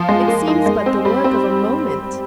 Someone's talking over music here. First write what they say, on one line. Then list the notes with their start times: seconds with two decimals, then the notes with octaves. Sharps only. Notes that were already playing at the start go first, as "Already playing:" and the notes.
It seems but the work of a moment.
Already playing: F3
0.09 G#3
0.28 A#3
0.48 D#4
0.66 G#3
0.86 C4
1.05 G3
1.24 C4